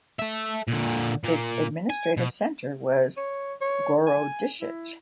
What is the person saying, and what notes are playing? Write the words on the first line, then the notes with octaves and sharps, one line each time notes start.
Its administrative centre was Gorodishche.
A4 E5
A#2 D3
A#2 A#3
G#5
B2
C#5
C#5
G#5
E4